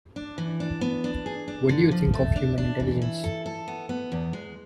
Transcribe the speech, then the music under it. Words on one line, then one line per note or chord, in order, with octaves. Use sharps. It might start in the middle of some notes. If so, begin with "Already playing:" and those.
What do you think of human intelligence?
D4
E3
D4
B3
D4
G#4
D4
D3
F3
A3
D4
D4
E3
E4
A4
A4
B3
B3
E2
G#3